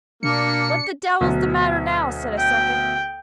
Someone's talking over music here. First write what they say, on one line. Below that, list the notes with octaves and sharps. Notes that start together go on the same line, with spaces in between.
"What the devil's the matter now!" said a second.
B2 A#3 D4 C#7
D2 B2 F#3
G5